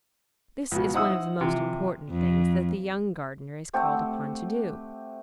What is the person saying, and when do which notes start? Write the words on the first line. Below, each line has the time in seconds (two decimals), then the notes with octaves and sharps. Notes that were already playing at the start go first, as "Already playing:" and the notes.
This is one of the most important things that the young gardener is called upon to do.
0.72 C#2 B2
0.94 D#4 E4 C5 F#5 D#6 E6
1.41 C3 E3 F3
2.10 F2
3.73 A3 C4 G4 F#5